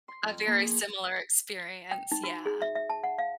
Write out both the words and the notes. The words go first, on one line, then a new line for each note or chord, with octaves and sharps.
A very similar experience, yeah.
C6
F2
A#3
G#4
G5
D#4
F#4
G#4
E5
E5
A5
F#5
F5